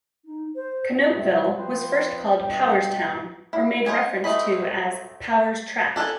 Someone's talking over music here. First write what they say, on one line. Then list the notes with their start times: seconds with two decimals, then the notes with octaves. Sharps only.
Conneautville was first called "Powerstown" or made reference to as "Power's Tract".
0.25 D#4
0.56 C5
1.11 G2 C3
1.57 F3 C4 B4 C5
2.41 G2 B2 G5
3.53 E4
3.86 C5 C#5 D#5 G#5
4.24 A3 C4 D#5 B5
5.96 D4 A4 B4 F#5 G#5